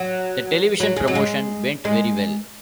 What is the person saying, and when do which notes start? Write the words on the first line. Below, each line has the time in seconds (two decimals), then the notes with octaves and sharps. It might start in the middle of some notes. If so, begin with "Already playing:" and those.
The television promotion went very well.
Already playing: F#3
0.80 F#3
0.96 G#3
1.08 F#3
1.15 G#3
1.85 G#3